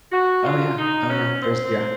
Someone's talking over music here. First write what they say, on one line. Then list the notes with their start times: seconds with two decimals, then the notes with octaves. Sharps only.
Oh, yeah. Oh, yeah. There's Yeah.
0.12 F#4
0.44 G#2 F#3 F4
0.78 D#4
1.10 G#2 F#3 C#4
1.42 C4